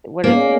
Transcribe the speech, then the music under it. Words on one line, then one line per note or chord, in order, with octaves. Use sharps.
It would've
A#2 G#3 A#3 C#4